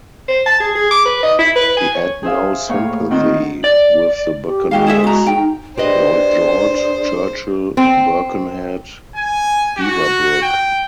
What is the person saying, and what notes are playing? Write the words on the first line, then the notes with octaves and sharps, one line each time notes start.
He had no sympathy with the buccaneers - Lloyd George, Churchill, Birkenhead, Beaverbrook.
C5
A5
G#4
G#4
D6
B4
D#5
E4
B4
G#5
C#5
G#4 C5 E5 F5
A2 A#3 C#5 F5
D#3 C4 F4 F#5
D5
G4
G#3 F#4 G4 F5
E4 G#4 E5
F#4 A#5
D#4 G5
D4 G4 G#4 B4 C5 D5 D#5
C4
G#5
F#4
G5